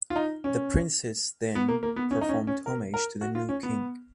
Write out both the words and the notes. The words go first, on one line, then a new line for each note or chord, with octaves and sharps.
The princes then performed homage to the new king.
F4
D#4
C#4
B3
A#3
A#3
B3
C#4
D#4
C#4
C#4
A#4
A#4
F#4
F4
C#4
B3